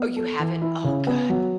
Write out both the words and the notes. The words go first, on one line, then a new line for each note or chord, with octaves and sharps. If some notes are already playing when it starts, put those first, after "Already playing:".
Oh, you haven't? Oh, god,
Already playing: B3
A4
E3
E4
C#3
B3
F#3